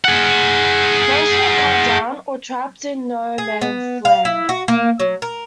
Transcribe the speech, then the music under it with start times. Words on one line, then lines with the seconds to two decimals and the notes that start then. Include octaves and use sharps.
Most were cut down or trapped in no man's land.
0.05 G#4 F#5
3.38 G#4
3.62 B3
4.05 F5
4.25 E4
4.49 F#4
4.68 A#3
4.99 F#3
5.22 A#4